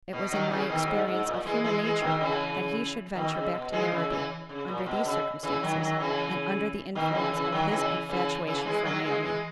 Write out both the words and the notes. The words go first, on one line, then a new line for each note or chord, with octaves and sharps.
It was in my experience of human nature that he should venture back to Narrabee under these circumstances, and under the influence of his infatuation for Naomi.
B2
D#3 F#3
C#3 E3
B2 D#3
G#2
G#2
A#2
E3 G#3
E3 G#3
E3 G#3
B2 D#3
C#3 E3
B2 D#3
C#3
B2
E3 G#3
C#3
C#3 E3
C#3
A#2
B2
C#3
C#3 E3
D#3 F#3
D#3 F#3
C#3 E3
B2 D#3
C#3 E3
C#3 E3
D#3 F#3
C#3 E3
C#3 E3
C#3 E3
E3 G#3
F#3 A#3
E3 G#3
E3 G#3